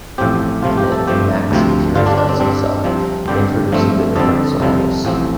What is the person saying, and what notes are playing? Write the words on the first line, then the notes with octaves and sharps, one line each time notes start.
In it, Max appears as himself, introducing the different songs.
A1 A2 F3 C4 G4
C2 C3 F3 A3 F4
G4
A4
G2 F3 A3 C4 G4
D2 C3 F3 C4
G2 D3 G3 F4
D4
D4
C4
G2 G3 C4 D4
C2 C3 F3 C4
G2 D3 G3 C4 G4
G2 F3 A3 C4
F2 D3 G3 C4 A4
C2 C3 F3 A4
A1 A2 F3 C4